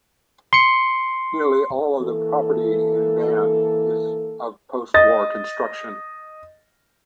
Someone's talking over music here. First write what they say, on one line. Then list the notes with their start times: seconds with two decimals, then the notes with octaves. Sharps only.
Nearly all of the property in Van is of post war construction.
0.53 C6 C#7
2.01 E3 A#3 A4
4.94 D#5 A6